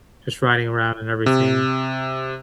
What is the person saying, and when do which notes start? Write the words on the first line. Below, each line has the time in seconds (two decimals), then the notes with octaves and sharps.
just riding around and everything.
1.26 C3